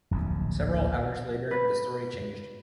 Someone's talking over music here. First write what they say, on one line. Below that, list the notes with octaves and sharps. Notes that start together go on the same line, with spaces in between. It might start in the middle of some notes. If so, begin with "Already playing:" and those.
Several hours later the story changed.
D1 A#1 D#2
B4